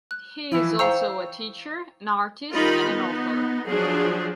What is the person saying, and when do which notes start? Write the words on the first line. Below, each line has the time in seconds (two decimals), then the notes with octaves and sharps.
He is also a teacher, an artist and an author.
0.11 F#6
0.52 E3 F3 E4
0.79 C5 F5 G5 A#5 C#6 E6 G6
2.54 D#3 G3 D#4 F4 A#4 B5
2.85 B3 D#4
3.68 F3 F#3 D4 G#4